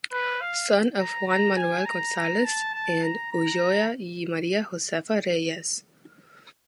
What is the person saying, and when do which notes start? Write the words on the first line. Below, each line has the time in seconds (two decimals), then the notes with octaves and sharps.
Son of Juan Manuel González and Ulloa y María Josefa Reyes.
0.12 B4
0.41 F5
0.98 A#5
1.28 A#5
1.57 G#5
1.86 A#5
2.16 A#5
2.45 A5
2.74 A5
3.03 A#5
3.32 A#5